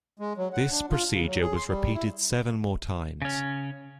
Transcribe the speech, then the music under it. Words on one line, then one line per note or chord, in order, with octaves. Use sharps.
This procedure was repeated seven more times.
G#3
F#3
F#5
D4
F4
C#3
F#3
G#4
C6
G3
E4
C#3 C#4